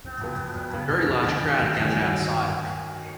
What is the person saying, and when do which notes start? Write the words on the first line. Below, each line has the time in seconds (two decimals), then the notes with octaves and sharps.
Very large crowd gathered outside.
0.21 F2 C#3 F#3 B3
0.73 F2 C#3 F#3 B3
1.25 D#3 F#3 C#4
1.77 D#3 F#3 C#4